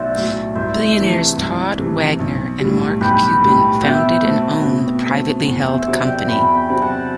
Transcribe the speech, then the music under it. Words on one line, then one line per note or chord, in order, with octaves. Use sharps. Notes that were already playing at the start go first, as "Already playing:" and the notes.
Billionaires Todd Wagner and Mark Cuban founded and own the privately held company.
Already playing: B1 A2 F#3 C5 D5 E5 F#5
A2 F#3
C2 C5 E5
C3 E3 A3
C2
C3 E3 A3
B1
A2 G3
B1 G4 B4
A2 G3
B2 E5 G5
A3 C4
B2
A3 C4
E2
C5 E5
C3 F#3 C4 D5 F#5
E5 G5
E2 G5 B5
G5 B5
C3 F#3 C4
F#5 A5